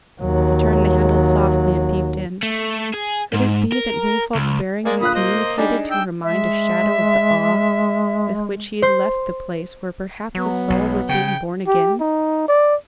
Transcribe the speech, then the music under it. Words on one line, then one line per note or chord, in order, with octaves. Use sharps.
She turned the handle softly and peeped in: could it be that Wingfold's bearing had communicated to her mind a shadow of the awe with which he had left the place where perhaps a soul was being born again?
D#2 F#3
A3
G#4
G#2
A#4
C#2
G#3 A#3 D5 G#5
A#2 D3 F5 B5 D#6 F#6
A#3 C5 D#5
G3 D4 D#4 G#4
G5 E6
G#3 E5
C5
F#3 B3
B1
C#3 G5
G4
D#4
D5